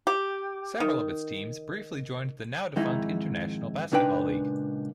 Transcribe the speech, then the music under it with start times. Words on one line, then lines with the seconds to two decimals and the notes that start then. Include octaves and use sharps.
Several of its teams briefly joined the now-defunct International Basketball League.
0.07 G4
0.80 D#3
2.76 F2 G#2 D#3 G#3 D#4 E4
3.92 C#2 A#2 D4 D#4 B4 G5